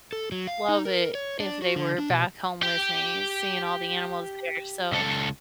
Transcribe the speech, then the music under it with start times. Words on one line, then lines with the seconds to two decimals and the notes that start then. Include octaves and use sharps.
love it if they were back home with me, seeing all the animals there." So,
0.13 A4
0.32 F#3
0.47 F5
0.69 D#4
0.85 A#4
1.15 C#5
1.40 D4
1.62 F#4
1.76 D3
1.98 D4
2.10 B2
2.63 G4 G5
4.92 C#2 A4